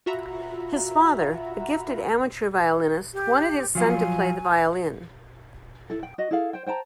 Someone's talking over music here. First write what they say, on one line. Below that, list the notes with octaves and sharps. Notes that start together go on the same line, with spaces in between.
His father, a gifted amateur violinist, wanted his son to play the violin.
F4 F#4 E5 F#5 A#5 B5
G4
F3 F#3 F4 G#5
E4 A4
G5
F#4 D#5
E4 G#4 A4 F5
C5 G5
C5 G5 A5 A#5